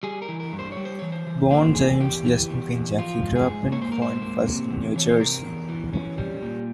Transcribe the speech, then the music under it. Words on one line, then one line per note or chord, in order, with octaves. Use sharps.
Born James Justin Pinchak, he grew up in Point Pleasant, New Jersey.
G3 G#4
A#4
E3
A#4
G2
C5
G3 C#5
C5
E3 C#5
C5
E3
A#3 C5
E2 G#4
E2 G4
E3
E2
E2
F3 F4
G#2
G#4
G#2
A#3 C#5
C5
G#2 A#4
C5
A#3
C3
E2
E3 C#5
C5
C3 A#4
E2
E3
C#4
G3
A#2